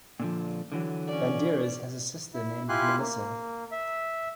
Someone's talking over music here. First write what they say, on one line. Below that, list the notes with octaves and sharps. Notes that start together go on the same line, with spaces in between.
Banderas has a sister named Melissa.
A#2 D3 F3
D3 E3 F#3
C#4 D5
E4
E4 F4 G4 G#5 C6 F#6
A#3
E5